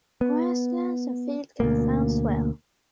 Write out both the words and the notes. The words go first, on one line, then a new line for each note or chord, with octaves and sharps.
Grasslands and fields can be found as well.
B3
D2 B2 A#3